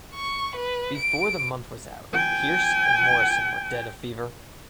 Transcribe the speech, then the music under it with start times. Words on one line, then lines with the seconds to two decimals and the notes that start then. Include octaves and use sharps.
Before the month was out Pearce and Morrison were dead of fever.
0.15 C#6
0.56 B4
0.97 D7
2.13 G5 G#5